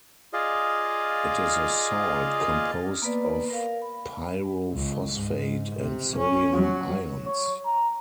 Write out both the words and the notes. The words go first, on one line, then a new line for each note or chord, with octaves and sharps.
It is a salt composed of pyrophosphate and sodium ions.
F4 G#4 D5 D#5 F5
A#3 B3 B4 D5
A#4 F5
B5
C#2
G#2
C3
C#4
F#3
C#5
A#5